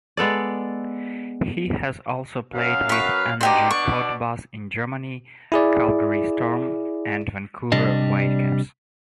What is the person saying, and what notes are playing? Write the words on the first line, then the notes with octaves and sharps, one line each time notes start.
He has also played with Energie Cottbus in Germany, Calgary Storm, and Vancouver Whitecaps.
G#3 B3 A4 D5
F#2 F5
B4 C#6
B2 D4 D#4 G4 C5 D5
C#6
E4 G#4 D5
C3 G3 D4 D5 D#5